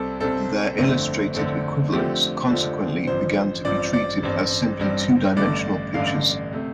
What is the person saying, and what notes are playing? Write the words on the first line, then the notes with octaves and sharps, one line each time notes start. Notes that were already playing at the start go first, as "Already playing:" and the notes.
Their illustrated equivalents consequently began to be treated as simply two-dimensional pictures.
Already playing: C2 C3 G3 C4 A4
C2 C3 G3 C4 A4
G1 F2 D3 A3 C4
G1 F2 D3 A3 C4
F2 D3 F3 A3 C4 G4
F2 D3 F3 A3 C4
A1 G2 F3 C4 C5
A1 G2 F3 C4 D5
D5
A1 G2 G3 C4
A1 G2 G3 C4
A1 G2 D3 A3 D5
A1 G2 D3 A3 F5
C3 A3